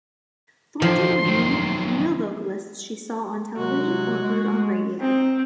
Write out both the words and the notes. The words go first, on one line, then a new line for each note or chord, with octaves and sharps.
Thornton would mimic the female vocalists she saw on television or heard on radio.
D3 D#3 F3 C6
D#3 F#3
C3 F#3 G#3 F#4
G#3
C4 D#4